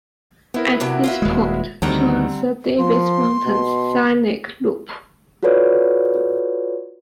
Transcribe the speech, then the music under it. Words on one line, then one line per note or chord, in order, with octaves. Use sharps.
At this point, joins the Davis Mountains Scenic Loop.
B3 C4 E4 A#4
G2 C3 F#3
F4 F#4 E5
D#1 G#3
D2 D3 D#3 G3 C4 F#5 A#5
F3 C6
B2
F4 F#4 A4 B4 C#5 D5